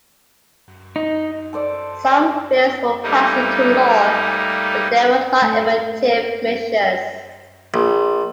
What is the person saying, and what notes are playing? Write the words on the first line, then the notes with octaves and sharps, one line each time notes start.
Some bills were passed into law, but they were not effective measures.
D#4
A4 C5 D5
G3 A3 A#3 D#4
A3
A#1